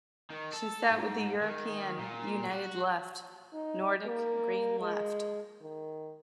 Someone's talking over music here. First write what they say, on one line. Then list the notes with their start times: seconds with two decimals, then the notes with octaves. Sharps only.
She sat with the European United Left - Nordic Green Left.
0.30 D#3
0.54 A4
0.90 G#2
1.42 D#3
2.00 A#2
2.51 F#4
3.53 D#4
4.06 A#3
4.80 G#3
5.61 D#3